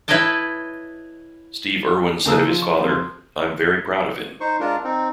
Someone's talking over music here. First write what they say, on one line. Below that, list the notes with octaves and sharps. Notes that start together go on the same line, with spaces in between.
Steve Irwin said of his father: I'm very proud of him.
E4 B4 C#5 D#5 G5 A5
D#2 C#3 A#3 D#6 E6
F3
C#6
F2 C5
D#4 C5 C#6
G#3 D4 F4 A#4
C4 D#4